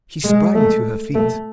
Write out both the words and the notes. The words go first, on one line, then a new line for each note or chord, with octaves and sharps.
She sprang to her feet.
G#3
A3
A3